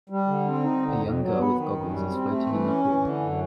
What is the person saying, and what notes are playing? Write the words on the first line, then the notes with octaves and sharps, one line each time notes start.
A young girl with goggles is floating in the pool.
G3
D3
C4
D#4
D3
F2
F#3
B3
D#3
F#2
G3
C4
A3
E3
C#4
E3
D3
F#2